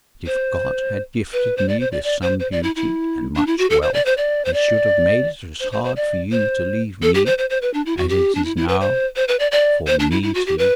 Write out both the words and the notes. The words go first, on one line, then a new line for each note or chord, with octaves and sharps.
And if God had gifted me with some beauty and much wealth, I should have made it as hard for you to leave me, as it is now for me to leave you.
C5
B4
C5
D5
C5
D5
D5
C5
C5
D5
E4
E4
D4
E4
F#4
A4
C5
D5
C5
D5
C5
D5
C5
C5
C5
D5
C5
A4
G4
C5
C5
C5
B4
D4
E4
F#4
G4
D4
E4
E4
B4
C5
C5
B4
D5
D5
C5
D4
E4
E4
F#4
G4
B4